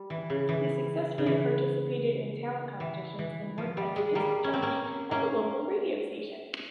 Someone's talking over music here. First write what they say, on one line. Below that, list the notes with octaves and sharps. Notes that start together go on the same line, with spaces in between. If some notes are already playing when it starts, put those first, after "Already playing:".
He successfully participated in talent competitions and worked as a disc jockey at a local radio station.
Already playing: G3
E3
C#3
E3
C#3
E3
E3
E3
F3
G3
G#3
G3 A#3
C#4
C4
A#3 C#4
A#3 C#4